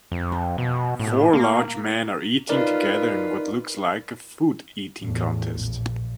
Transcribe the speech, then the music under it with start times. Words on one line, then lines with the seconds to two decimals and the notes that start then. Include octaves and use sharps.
Four large men are eating together in what looks like a foodeating contest.
0.12 F2
0.58 B2
0.99 A2
1.33 A#3
2.49 D#4 F4 A#4 B4 D5
5.01 E2 A2
5.61 A#1